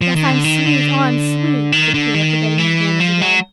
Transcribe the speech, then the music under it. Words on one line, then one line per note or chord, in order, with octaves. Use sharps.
"Yes, I'm sweet, oh, I am sweet!" said Peter, forgetting his manners again.
F3
D#3
D3
D#3
D3
D#3
D3
D#3
E3
F3
F#3